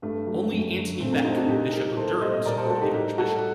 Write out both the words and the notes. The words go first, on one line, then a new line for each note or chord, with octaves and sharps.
Only Antony Bek, Bishop of Durham supported the archbishop.
G2 A3
F#3
F#2
D3 F#3
A#2 A3 C4
A#3 D4
G3 C4 D#4
D4 F#4
A#2 D#4 G4
G3 G4 A#4
A2 A4 C5
G3 C5 D#5
C5 D#5
A#2 A#4 D5
A4 C5
G3 F#4 A4
D#4 G4
A2 D#4 G4
G3 F#4 A4